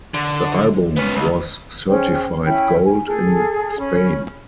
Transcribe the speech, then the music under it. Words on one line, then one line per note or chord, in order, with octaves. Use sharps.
The album was certified Gold in Spain.
D3
B3 C#4
C#2
C#4 G#4 C5 G5
C#4 E4 G5 B5
G#5
G#4 A4
C#4 B5